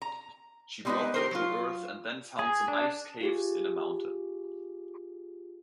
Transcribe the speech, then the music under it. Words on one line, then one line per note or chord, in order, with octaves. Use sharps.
She brought them to Earth and then found some ice caves in a mountain.
A#5
G3 G#3 B3 C#4 D#4 B4
G4 A#4 C5
F#3 F4
G#4
D4
F4 G4 G#4